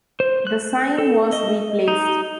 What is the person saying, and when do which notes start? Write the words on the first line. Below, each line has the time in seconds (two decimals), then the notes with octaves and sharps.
The sign was replaced.
0.20 C5
0.47 F#6
0.98 A4
1.32 D#5
1.88 D#4